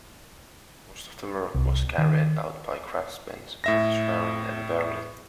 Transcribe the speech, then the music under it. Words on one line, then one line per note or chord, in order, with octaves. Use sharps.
Most of the work was carried out by craftsmen from Schwerin and Berlin.
C2
D#3
A2 E5 A#6